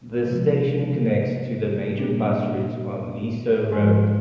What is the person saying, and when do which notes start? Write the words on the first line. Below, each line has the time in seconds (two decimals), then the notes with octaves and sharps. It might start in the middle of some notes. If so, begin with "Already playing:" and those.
The station connects to the major bus routes on Leasowe Road.
0.25 C3 F3 G#3
1.99 A#2 G3 A#3 D4
3.72 G#2 F3 G#3